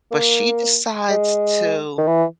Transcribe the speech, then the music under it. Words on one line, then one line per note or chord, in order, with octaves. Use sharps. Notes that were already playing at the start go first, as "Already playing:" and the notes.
But she decides to
A#3
G#3
D#3
E3